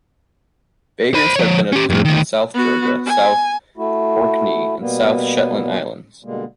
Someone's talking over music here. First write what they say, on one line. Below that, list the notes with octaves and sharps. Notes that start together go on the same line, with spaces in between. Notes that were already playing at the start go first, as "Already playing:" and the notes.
Vagrants have been observed in South Georgia, South Orkney and the South Shetland Islands.
C5 B5
F3 C#5
C#4 G4
F2 A2
D2 D#3
B3 F#4
G#5
A3 E4 F#4
B2 G3 A#3 B3
B2 D3 G3 G#3 A#3